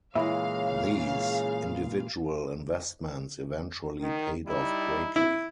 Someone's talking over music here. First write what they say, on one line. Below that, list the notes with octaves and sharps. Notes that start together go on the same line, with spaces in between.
These individual investments eventually paid off greatly.
A#2 C#3 E3 G#3 E4 F5
D#3
G3 D#4 E4
E4